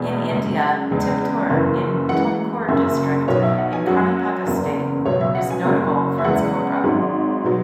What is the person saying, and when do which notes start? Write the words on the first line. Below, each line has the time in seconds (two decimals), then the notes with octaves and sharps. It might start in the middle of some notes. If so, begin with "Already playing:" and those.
In India, Tiptur in Tumkur district in Karnataka state is notable for its copra.
Already playing: E2 B2 G#3 G#5
0.31 F#2 C#3 G#3
0.90 E2 C#3 G#3
1.50 F#1 F#2 C#3 E3
2.09 F#2 E3 G#3 F#5
2.68 F#1 F#2 C#3 E5
3.28 B1 B2 F#3 C#5
3.43 E5
3.58 F#5
3.73 G#5
3.87 F#2 F#3 F#5
4.47 F#1 E2 C#3
5.05 C#2 B2 F#3 C#5
5.21 E5
5.35 F#5
5.50 G#5
5.65 F#1 F#2 F#3
6.18 E5
6.24 E2 C#3 E3 G#3 F#5
6.84 G#1 G#2 F#3
7.44 B2 F#3